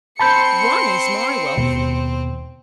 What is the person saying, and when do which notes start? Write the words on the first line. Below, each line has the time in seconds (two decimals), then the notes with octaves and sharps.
ONE is my wealth!
0.19 C4 A5 B5 C6 G6 C#7
1.58 D#2 B2